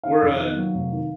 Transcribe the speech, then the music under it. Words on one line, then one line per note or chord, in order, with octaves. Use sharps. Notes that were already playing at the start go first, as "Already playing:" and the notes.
we're, uh,
D#3 F5
F2
D#3
F#3
F1
D#3